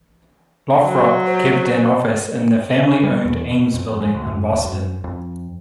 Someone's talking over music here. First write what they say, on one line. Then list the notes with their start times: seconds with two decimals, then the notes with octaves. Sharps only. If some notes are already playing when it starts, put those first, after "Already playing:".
Lothrop kept an office in the family-owned Ames Building in Boston.
0.82 F#3
1.26 C5
3.04 G3
3.25 E2
3.51 B2
3.74 F2
3.88 F2
4.01 G#3
4.14 D2
4.27 F#2
4.50 D#1
4.65 F#2
5.04 F2